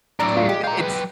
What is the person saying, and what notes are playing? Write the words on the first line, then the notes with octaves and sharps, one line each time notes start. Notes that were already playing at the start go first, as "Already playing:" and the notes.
Dude, it's
A2 F#3 D4 D5 A#5
F4
G#3 G4
F4 G5 A#5
F#3 B4